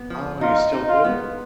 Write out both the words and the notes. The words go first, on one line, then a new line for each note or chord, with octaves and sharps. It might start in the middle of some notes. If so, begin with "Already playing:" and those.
Oh, you still do it?
Already playing: B3
F3
D#4 F4
D#4
F4
B3